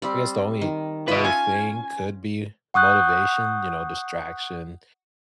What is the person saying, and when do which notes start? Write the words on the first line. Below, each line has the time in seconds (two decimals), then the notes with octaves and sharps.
I guess the only other thing could be motivation, you know, distraction
0.02 G3 C4 D5
0.62 D#3
1.08 F4 B4 C#5 D#5 E5
1.24 C#4 F5 G#5 A5
2.74 F#5 C#6 D#6 F#6 G6